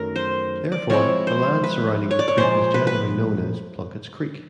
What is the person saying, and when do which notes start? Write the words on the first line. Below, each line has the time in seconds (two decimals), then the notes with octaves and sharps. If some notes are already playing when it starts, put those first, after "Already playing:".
Therefore, the land surrounding the creek was generally known as "Plunketts Creek".
Already playing: F#2 D#3 F#3 A3 A#4
0.16 C5
0.72 D5
0.90 F3 G#3 C4 E4 C#5
1.27 C5
1.64 B4
2.11 C#5
2.19 D5
2.28 C#5
2.38 A#2 F3 G#3 C5
2.74 B4
2.87 B4